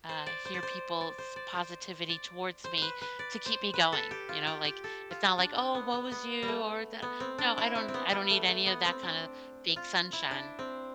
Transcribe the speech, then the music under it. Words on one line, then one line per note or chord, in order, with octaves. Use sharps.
uh, hear people's positivity towards me to keep me going, you know, like, it's not like, "Oh, woe is you," or, dada No, I don't I don't need any of that kinda big sunshine.
C5
D5
C5
D5
C5
D5
C5
D5
C5
D5
C5
B4 C5
B4
D5
C5
B4
A4
G4
F4
G4
G4
A4
F4
D4
C4
B3
B3
B3
G3
A3
B3
C4
D4
E4
C4
C4
B3
G3
A3
A3
B3
C4
D4
F4
E4
D4
C4